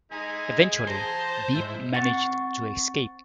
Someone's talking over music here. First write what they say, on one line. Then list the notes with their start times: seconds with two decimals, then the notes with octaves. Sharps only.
Eventually, Beep managed to escape.
0.11 G#3 D#4 E4 G#4
0.88 C5 A5 A#5 C6
1.55 G#2 E4
1.95 C4 F#5 C#6 A6 C#7